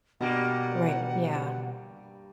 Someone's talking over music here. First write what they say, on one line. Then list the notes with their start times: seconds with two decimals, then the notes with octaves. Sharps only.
Right, yeah.
0.21 G2 B2 G3 A#3 F#5